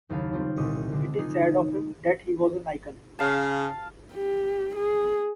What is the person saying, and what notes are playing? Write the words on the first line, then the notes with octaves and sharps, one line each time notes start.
It is said of him that he was an icon.
F#1 D#2 C#3 F5 A5 B5
C#3 G3 C4 F4
C2 A#2 D3 D4 D#5 C#6
D3 G#3 D4
G#3 A#3 D#4 F4 G#4
C#3 F5 A5
G4
G#4